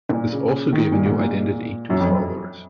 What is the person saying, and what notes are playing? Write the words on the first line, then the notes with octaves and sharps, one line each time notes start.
This also gave a new identity to his followers.
A#2
C#3
D#3
A#2
G#2
A#2
F#2
F2